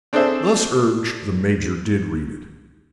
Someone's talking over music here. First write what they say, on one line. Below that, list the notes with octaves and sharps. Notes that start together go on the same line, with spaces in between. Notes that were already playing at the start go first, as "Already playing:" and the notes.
Thus urged, the Major did read it.
C4 D4 G#4 A4 C5 E5